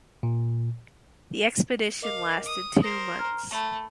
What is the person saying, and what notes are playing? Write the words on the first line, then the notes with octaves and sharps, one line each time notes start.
The expedition lasted two months.
A#2
A#4 D#5 F5 D6
D#6
A#4 C5 D#6 A#6 C7
A#5 F6
A3 A5 B5